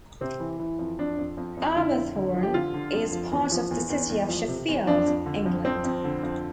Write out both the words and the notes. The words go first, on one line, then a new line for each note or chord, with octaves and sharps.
Arbourthorne is part of the city of Sheffield, England.
C3 C4
E3
E3
F2
F2 D4
F2
F2
F2
D3 E4
F2
D3
F3
G4
D3 F4
D3
F2
F3
E2
F3
E2
E2
E2
F3
C3
E2
F2 D4
F2
D3
F2
F2 C4
F2
D3
F2